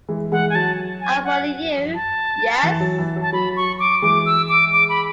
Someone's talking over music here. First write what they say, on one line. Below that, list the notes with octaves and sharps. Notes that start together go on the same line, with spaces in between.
I follow you, yes.
E3 G#3
E3 G#3 F#5
G#5
F#3 A5
G#5
F#5
A5
E3
F#3
E3
F#3
A5
F#3 B5
C#6
D6
E3 G#3 D6
E6
D6
D6
B5